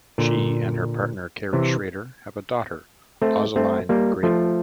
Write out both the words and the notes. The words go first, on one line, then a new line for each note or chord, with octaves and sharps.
She and her partner, Carrie Schrader, have a daughter, Ozilline Graydon.
A#2 D3
C3 E3
A3 C4
A3 C4
G3 A#3
F3 A3